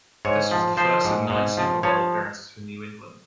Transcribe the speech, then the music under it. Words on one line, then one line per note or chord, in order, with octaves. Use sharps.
This was the first of nine Super Bowl appearances for New England.
G#2 C#5
F3
F3 C5
G#2
G#2
F3
F3 C#5